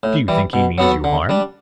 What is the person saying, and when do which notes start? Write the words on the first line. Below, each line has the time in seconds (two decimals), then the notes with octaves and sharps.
"Do you think he means you harm?"
0.03 A2
0.28 E3 G3
0.53 B2
0.78 F#3 B3 F#4 A4
1.04 D3
1.29 G3 D4